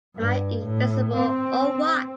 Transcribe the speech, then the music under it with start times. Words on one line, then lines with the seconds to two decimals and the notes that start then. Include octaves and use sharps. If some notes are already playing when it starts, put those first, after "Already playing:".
Am I invisible or what?
0.16 G2
0.64 A2
1.17 C4